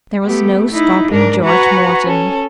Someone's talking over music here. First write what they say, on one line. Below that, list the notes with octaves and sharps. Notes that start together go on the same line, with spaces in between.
There was no stopping George Morton.
A3 B3 G4
D#4 E4
G#2 D4 A#4
F#4 B4 F#5 G#5 A#5 C#6
C#4 A4